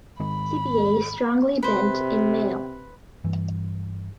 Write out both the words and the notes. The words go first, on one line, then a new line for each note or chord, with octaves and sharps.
Tibiae strongly bent in male.
G#2 D#3 G#3 B5
C3 B4 C5
G2 E3